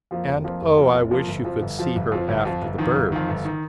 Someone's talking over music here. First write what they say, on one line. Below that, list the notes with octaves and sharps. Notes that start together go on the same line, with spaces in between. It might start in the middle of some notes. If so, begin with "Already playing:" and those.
And oh, I wish you could see her after the birds!
F2 F3 A#3
F1
F2 F3 A#3
F1
F2 F3 A#3
F1
F2 F3 A#3
G1
F2 F3
G1
F2 F3
G1
F2 F3
G1
F2 F3
G1
F2 D#3
G1
F2 D#3
G1
D#3